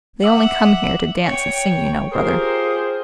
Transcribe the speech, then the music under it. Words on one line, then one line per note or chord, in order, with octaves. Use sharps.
They only come here to dance and sing, you know, brother.
E5 F#5 D6 E6 F#7
C#5 G5
F4 G4 G#4 A#4 C5